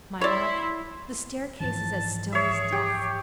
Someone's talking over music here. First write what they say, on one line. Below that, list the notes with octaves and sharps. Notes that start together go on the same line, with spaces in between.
"My love, the staircase is as still as Death."
E4 C#5 D5 C6
G#2 E3 F3 A5
G#4 C#5 E5
G4